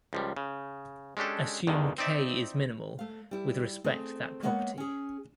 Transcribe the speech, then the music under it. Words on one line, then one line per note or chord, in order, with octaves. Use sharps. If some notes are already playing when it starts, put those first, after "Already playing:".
Assume "k" is minimal with respect that property.
C#2 F3 G3
C#3
G#3 C#4 D4 G4 A4
E2 G2 D3 D#3
C4 D#4 D5 E5
A3 F5
G3 E4
A3 C4 G#4
G#3 A#3 B3 C#5 F5 F#5
C#4 G#4